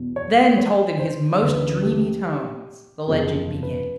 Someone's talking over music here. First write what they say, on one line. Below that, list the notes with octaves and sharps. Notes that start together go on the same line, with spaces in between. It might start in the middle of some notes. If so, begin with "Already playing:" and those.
Then, told in his most dreamy tones, the legend begins.
Already playing: E2 B2
C#5
C#5
C5
D2 C#3 E3 B4
G4
F#1 E2 C3 F3 G#4
B4